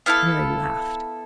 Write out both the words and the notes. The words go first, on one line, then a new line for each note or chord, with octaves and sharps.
Mary laughed.
B3 E4 A4 F5